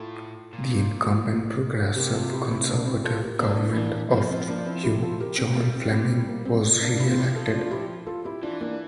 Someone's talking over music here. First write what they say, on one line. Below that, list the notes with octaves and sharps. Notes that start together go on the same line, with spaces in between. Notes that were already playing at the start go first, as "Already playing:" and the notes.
The incumbent Progressive Conservative government of Hugh John Flemming was re-elected.
Already playing: A2 F4 A4
A#2
C3 G4 A#4
F4 A4
E4 G4
C4 E4
A#3 D4
C4 E4
F4 A4
G4 A#4
D3 A#3 D4
E4
E3 A#3 D4
F3 A#3
C4
A#3 D4
D4
C4 E4
E4 G4
F4 A4
G4 A#4
C4
G3 A#3
C4
C4 E4
C4
A#3
C4
A#3 D4
D4
F3 C4 E4
F4
E4 G4
F4 A4
D4 F4
F4
E4 G4
F4 A4
E4 G4
E3 D4 F4
A#3 D4